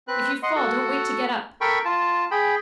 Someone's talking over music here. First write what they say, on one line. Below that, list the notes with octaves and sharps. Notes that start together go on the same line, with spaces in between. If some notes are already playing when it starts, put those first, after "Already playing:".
If you fall don't wait to get up.
C4 B4 F#6
D#5 F#5 C6
F#4 A4 F#5
A4 A#4 G5 B5 C#6
F4 A5
G#4 G5 B5